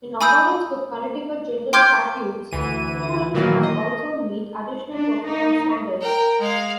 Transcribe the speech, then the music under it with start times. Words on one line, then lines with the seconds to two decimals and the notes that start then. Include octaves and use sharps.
In accordance with Connecticut General Statutes, students must also meet additional performance standards.
0.21 G#5 B5 D#6 E6 G6
1.73 G5 C6 D6 F6 G6 G#6
2.51 D2 E3 D#7
3.34 A#2 D#3 E3 F#3 A#3
3.63 D#5
4.93 D4
5.24 D#4
6.01 A#4 G5
6.40 G#3 F5